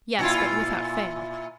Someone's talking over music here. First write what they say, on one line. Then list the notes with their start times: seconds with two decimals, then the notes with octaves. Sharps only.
"Yes; but without fail."
0.19 A#2 E4 F4